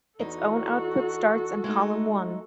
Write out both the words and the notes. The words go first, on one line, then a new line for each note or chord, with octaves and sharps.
Its own output starts in column one.
E2 D#4 F#4 A4
G#3 A3 D#4